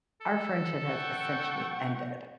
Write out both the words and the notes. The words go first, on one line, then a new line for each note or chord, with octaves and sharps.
our friendship has essentially ended,
A4
F#5 G5 C#6